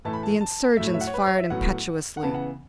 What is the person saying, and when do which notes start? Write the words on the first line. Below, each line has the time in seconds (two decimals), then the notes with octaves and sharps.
The insurgents fired impetuously.
0.05 A2 E3 A3 A5
0.13 B5
0.23 A5
0.41 A5
0.77 A2 F#3 A3 E5
0.87 C#5
0.94 E5
1.01 F#5
1.07 C#5
1.14 B4
1.26 C#5
1.38 E5
1.50 A2 F#3 B3 F#5
2.17 F#5
2.23 C#3 E3 B3 A5
2.34 F#5